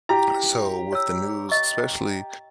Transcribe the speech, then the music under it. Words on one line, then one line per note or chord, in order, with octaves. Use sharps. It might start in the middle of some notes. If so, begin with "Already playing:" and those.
On a so with the news, especially
E4 G4 A#5
C#5 E6
D#5 C#6